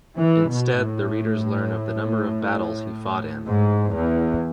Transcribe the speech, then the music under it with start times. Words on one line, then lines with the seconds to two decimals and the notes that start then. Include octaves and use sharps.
Instead the readers learn of the number of battles he fought in.
0.17 E3
0.47 B2
0.77 A2
3.46 G#2
3.91 E2